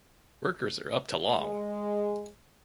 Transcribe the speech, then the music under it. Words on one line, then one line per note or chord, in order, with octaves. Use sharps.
Workers are up to long.
G#3